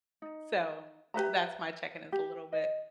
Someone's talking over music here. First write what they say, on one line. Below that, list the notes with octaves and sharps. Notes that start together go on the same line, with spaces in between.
So, that's my check-in is a little bit,
D#4
G4 B4 E5 A#5
G4
D#5